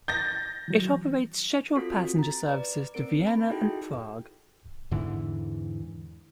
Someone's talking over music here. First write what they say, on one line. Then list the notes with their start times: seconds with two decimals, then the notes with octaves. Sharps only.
It operates scheduled passenger services to Vienna and Prague.
0.08 G6 A6 A#6
0.68 E3 F#3
1.75 C4 F4 F#4 A4 B6
2.19 A#5 A6
2.49 B4 D5
2.94 C4 A#4 D7
3.27 B5
3.49 D#4 E4 F#4 G#4 A4 G5
4.91 E2 G#2 D3 E3